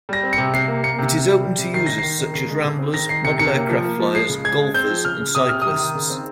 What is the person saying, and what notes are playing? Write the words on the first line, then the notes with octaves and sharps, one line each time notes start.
It is open to users such as ramblers, model aircraft flyers, golfers and cyclists.
G3 A#6
C4
C#7
C3
C3 C7
A#3
A#3 C#7
C3
C3
G3
G3
C3
D#3 C7
D#3 A#6
C7
D#3
D#3
C#3 C7
G#3
C#3
C4
D#3 A#6
D#3 C7
C3 C#7
C3 C#7
A#3
F3
A#3
F3
G#3 C7
C#3
G#3 G#6
G#3
C4 G6
F3
C#3 F6
C#3
C3 D#6
C3 F6
D#3 D#6
D#3
C#3
C4